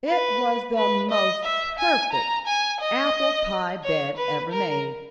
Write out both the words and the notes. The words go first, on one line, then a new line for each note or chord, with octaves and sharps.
It was the most perfect apple-pie bed ever made.
B4
B4
D#5
E5
G#5
A#5
G#5
D#5
C#5
B4
A#4